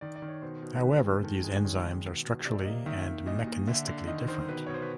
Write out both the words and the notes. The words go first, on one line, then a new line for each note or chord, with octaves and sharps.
However these enzymes are structurally and mechanistically different.
D#3 D5
D5
D#3
C#5
B2 C5
B2
D#3 B4
G#3
D#3 A4
G#3
D#3 C#5
D#3
B2
B2
C3 D5
A#3 D#5
D#3 E5
D#3
A#2 D#5
A#2
D3 E5
D3
D#3 D#5
D#3 C5
B2 B4
B2 C#5
C5
B4